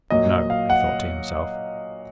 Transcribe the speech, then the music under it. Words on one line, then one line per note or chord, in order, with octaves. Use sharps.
'But no,' he thought to himself.
A#2 F#3 D#5
F5
F#5